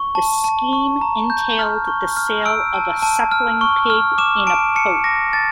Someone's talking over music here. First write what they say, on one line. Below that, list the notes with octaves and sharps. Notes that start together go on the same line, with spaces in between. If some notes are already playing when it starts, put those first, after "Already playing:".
The scheme entailed the sale of a suckling pig in a poke.
Already playing: C#6
A5
A5
C#6
A#5
G6
F6
C#6
F6
E6 D7
A5
A5
F6
C#6
F6
D6 E7
A5 D7
A5 C#7
D6 A#6
A5 A6